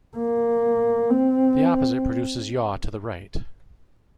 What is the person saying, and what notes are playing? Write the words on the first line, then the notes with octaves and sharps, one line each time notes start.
The opposite produces yaw to the right.
A#3
C4